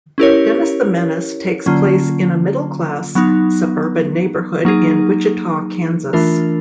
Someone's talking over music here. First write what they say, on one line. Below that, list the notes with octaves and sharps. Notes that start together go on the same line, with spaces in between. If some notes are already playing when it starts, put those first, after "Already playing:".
"Dennis the Menace" takes place in a middle-class suburban neighborhood in Wichita, Kansas.
C#4 E4 G4 A#4 C#5
D3 F#3 A#3 C#4 F4
F#3 B3 D#4
F#3 A#3 D#4 G#4
E3 A3 D4 F4 A#4